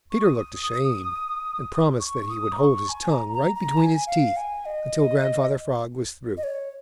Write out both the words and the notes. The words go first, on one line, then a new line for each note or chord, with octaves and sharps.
Peter looked ashamed and promised that he would hold his tongue right between his teeth until Grandfather Frog was through.
C#6
D#6
C#6
C#6
D#6
A#5
C#6
G#5
A#5
A#5
A#5
G#5
F5
G#5
D#5
D#5
C#5